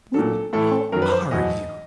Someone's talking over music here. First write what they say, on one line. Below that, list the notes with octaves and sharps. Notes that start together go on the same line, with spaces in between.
Whoop! How are you!
A#2 F#3 A4
A2 E3 A4
F#2 D#3 F#3 A#4
B4
C5
E2 B2 F#3 D#5